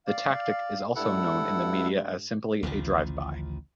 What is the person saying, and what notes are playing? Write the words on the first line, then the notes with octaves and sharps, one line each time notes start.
The tactic is also known in the media as simply a "drive-by".
D5 F5
G2 G#3 E4 A4 F#5
A1 D2 C#3 F3